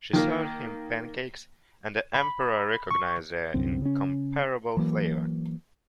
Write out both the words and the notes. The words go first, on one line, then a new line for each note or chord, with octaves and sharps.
She served him pancakes, and the Emperor recognized their incomparable flavour.
D#3 A#3
B5
C#6
C2 F#2 D3 C4
C#3 C#4
E3 F#3 A#3